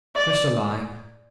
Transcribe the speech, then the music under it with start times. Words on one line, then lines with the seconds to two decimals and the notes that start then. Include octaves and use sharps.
Just a line.
0.16 D5